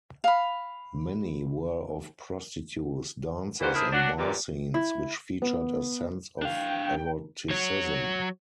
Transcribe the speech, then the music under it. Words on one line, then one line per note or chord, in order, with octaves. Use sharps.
Many were of prostitutes, dancers and bar scenes, which featured a sense of eroticism.
F5 B5
D#3 E3 G3 F4 C5 F#5
D4 E4 G#4 A#4 C5
F#3 D4 F#5
F#2 A#2 G3 B3 G4 D5
E4
B3
D4 F5 G5
F#3 C#5